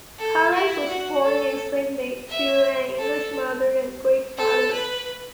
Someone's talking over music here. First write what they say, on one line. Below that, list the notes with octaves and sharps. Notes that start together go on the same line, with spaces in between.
Carides was born in Sydney, to an English mother and Greek father.
A4
E4
F#4
A4
E5
A4
A4
B4